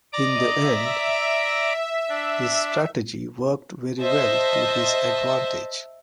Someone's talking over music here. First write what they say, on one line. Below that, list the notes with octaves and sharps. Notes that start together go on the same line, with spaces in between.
In the end, his strategy worked very well to his advantage.
D5 D#5 A#5 D6
E5
D4
C5 D#5 E5 A5